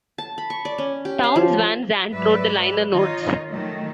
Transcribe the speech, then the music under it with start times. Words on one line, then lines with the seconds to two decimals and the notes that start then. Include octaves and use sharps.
Townes Van Zandt wrote the liner notes.
0.18 A5
0.38 B5
0.50 C#6
0.65 D5
0.78 C#4
1.05 G4
1.23 F5
1.36 F3
2.10 G#2 F#3 B4 D5 E5
2.93 D#3 D#4 F4 C#5 D#5
3.49 D#3 F#3 A3 D#4